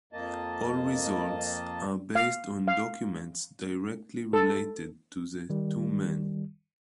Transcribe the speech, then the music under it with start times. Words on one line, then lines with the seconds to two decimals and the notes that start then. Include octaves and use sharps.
All results are based on documents directly related to the two men.
0.13 F2 A#3 D#5 A5
2.15 F5
2.68 F5
4.33 A4
5.50 D#3 G3